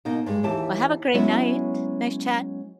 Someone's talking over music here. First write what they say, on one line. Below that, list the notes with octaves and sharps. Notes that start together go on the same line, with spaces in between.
Well, have a great night. Nice chat.
B2 A#3 D#4
G2 G#3
D#2 E3 G4 A5
F#3 G#3 B3 C#4 E4 F#4